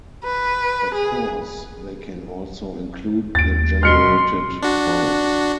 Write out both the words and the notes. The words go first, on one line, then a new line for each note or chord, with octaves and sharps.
Of course, they can also include the generated files.
B4
G#4
D#2 A6 D7
B2 C6 F6 C#7 G7
D4 F#4